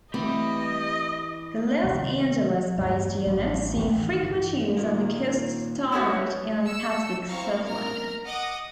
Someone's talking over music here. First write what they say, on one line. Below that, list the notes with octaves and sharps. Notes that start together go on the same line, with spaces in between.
The Los Angeles-based units see frequent use on the "Coast Starlight" and "Pacific Surfliner".
E3 A3 C4 G4 D#5 B5
C3 D#3 G3
E2 G2 F#3 G#3
A1
E1 A1 F#2 C3
D#3
G2 D#3 E3
A#2 D#3 A#3
G#3 A3 B3 C#4 E4 F#4
E6 C#7
C4 E4 F5 A#5 C#6
A#4 A#5 F6
D#5 F#5 D6 D#6